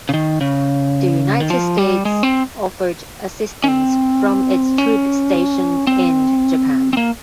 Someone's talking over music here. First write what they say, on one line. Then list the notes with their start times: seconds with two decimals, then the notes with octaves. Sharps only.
The United States offered assistance from its troops stationed in Japan.
0.09 C#3
0.14 D#3
0.41 C#3
1.40 D#3
1.50 F3
1.78 G3
2.05 G#3
2.23 C4
3.64 C#4
3.68 C4
4.78 C#4
5.87 C4
6.93 C4
6.97 A#3